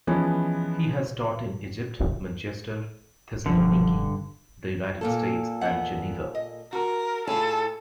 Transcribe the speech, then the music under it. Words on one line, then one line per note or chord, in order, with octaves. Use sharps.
He has taught in Egypt, Manchester, Thessaloniki, the United States, and Geneva.
E3 F3 G#3 B3 C#4
E1 E2 G2 D3 F3
A#2 A#3 A4
B3 F#5
D#5
F#4 A#4
A2 E4 F4 G#4 A4